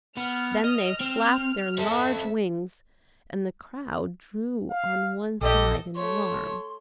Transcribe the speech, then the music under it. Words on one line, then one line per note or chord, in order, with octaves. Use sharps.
Then they flapped their large wings and the crowd drew on one side in alarm.
B3 F6
D#5
C4
C4 A4 E5
F5
A#1 G4 A4 D#5
A3 C#5 C6